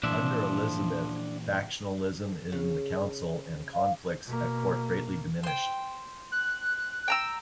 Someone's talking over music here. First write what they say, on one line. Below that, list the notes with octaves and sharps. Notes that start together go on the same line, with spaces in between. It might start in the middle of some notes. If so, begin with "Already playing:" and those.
Under Elizabeth, factionalism in the Council and conflicts at court greatly diminished.
A#2 E3 F3 D4 E5
C#3
F5
B2 A#3
C5 G5
F#6
G5 A#5 E6